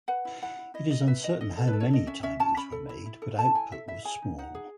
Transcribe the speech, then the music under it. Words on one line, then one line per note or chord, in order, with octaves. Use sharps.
It is uncertain how many Tinys were made but output was small.
B4 F#5
E4
E4 F#5
E4
E4 D#5
E4 D#5
B4 E5
E4 D#5
A4 D#5
A4
B4
A4
C#5
A4 D#5
C#4 E5
C#4 E5
C#4 A5
C#4 B5
A4
E4
E4
A4
A4 A5
E4 G#5
A4 E5
E4 E5
G#4 G#5
D#4
D#4 F#5
G#4